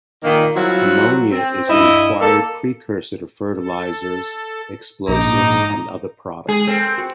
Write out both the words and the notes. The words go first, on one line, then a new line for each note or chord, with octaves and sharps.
Ammonia is a required precursor to fertilizers, explosives, and other products.
A#2 D#3 A#3
F#3 G3 C4 E4 F4 F#5
C4
G2 E4 D#5
A#3 A4
A4
A#1 G#2 D#4 A#5 D6
G#3 G#4
C4 A4 A#4
F#4